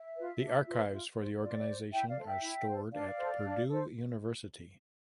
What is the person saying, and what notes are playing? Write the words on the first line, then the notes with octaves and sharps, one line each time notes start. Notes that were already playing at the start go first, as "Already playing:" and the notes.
The archives for the organization are stored at Purdue University.
Already playing: E5
F4 B4
D4
F4 B4
F4
C5
F4 D5
C5
E4 E5 G5
D5 F5
A4 C5
E5 G5
E4
A4 C5
D4 D5 F5
A4 C5
D4
A4 C5